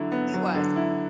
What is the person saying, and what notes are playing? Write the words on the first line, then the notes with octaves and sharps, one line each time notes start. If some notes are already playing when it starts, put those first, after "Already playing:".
he was.
Already playing: D3 F#3 E4
B3
F#3
D3
E4